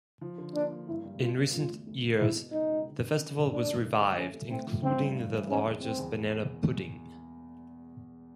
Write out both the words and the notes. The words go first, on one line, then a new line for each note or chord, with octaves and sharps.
In recent years, the festival was revived including the largest banana pudding.
F3
D3
A#3 D4
A#3
G2 E4
G3
G3 F4
B3
E1 F4
D2
D2
D2
B2 E4
B2
C#2 D#4
C#2
D3
D3
C#4
D3
D#2 D4
A3
D3
A3
A3 C#4
A3
A2 C4
F3
G2 C4
G3
G2
E3
E1 C#4
E2
E1 C4
E2
A#3